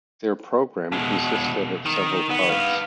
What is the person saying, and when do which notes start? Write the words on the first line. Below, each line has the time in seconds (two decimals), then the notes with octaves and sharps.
Their program consisted of several parts.
0.92 B2 G#3
1.86 D#3
2.30 B3
2.49 B4 F5